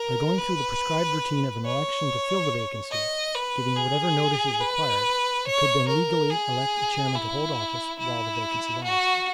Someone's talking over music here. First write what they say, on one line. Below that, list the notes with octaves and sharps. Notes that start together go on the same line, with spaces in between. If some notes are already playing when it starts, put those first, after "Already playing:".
By going through the prescribed routine of an election to fill the vacancy, giving whatever notice is required, it could then legally elect a chairman to hold office while the vacancy lasted.
Already playing: A#4
B4
C#5
D#5
B4
G#4
B4
C#5
A#4
G#4
E4
E4
F#4